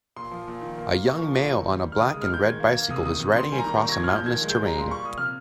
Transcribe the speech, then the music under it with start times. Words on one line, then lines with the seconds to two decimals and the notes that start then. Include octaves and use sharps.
A young male on a black and red bicycle is riding across a mountainous terrain.
0.16 A#2 C6
0.31 F3
0.48 A#2
0.62 D#3
0.78 A#3
0.92 A#3
1.08 A#2 C#6
1.22 F3
1.38 A#2
1.53 D#3
1.68 G3
1.84 D#3
1.92 F6
1.99 C#3 D#6
2.10 G#3 D#6
2.22 F6
2.29 G#3 G6
2.44 D#3 G#6
2.60 A#3
2.67 G#6
2.75 A#3
2.90 C3 D#6
3.05 D#3 D#6
3.20 C3 D#6
3.36 D#3 C6
3.51 G3 G#5
3.58 A#5
3.66 D#3
3.81 A#2 C#6
3.89 A#6
3.92 F3 G#6
4.04 F6
4.12 A#2 G6
4.26 D#3 G#6
4.42 G#3
4.49 G6
4.57 G#3
4.65 A#5
4.72 A#2
4.79 C6
4.87 G3 C#6
5.02 A#2 D#6
5.18 C3 F6